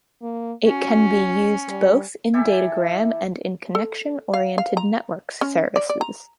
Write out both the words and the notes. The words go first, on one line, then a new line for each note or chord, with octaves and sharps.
It can be used both in datagram and in connection-oriented network services.
A#3
C#4 F#4
G3
E3 E4 G4 A4
A4
F5
F5
A#5
C#4
D5
D5
A#5